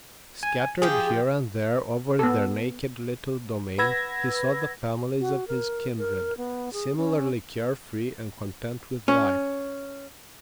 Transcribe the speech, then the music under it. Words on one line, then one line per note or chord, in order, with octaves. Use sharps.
Scattered here and there over their naked little domain he saw the families of his kindred, similarly care-free and content with life.
G#5
F3 G4 G#4
B3 A4
B4 F#5 B5 E6 G#6 A#6
F#4
A#4
A#4
B3
G#4
C#4
C#4